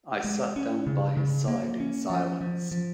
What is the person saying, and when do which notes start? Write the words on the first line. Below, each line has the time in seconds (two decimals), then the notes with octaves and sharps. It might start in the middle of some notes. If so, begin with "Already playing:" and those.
I sat down by his side in silence.
0.24 G#3
0.56 C#4
0.87 C#3
1.17 C#3
1.48 A#3
1.80 C#4
2.10 F3
2.41 F3
2.71 F3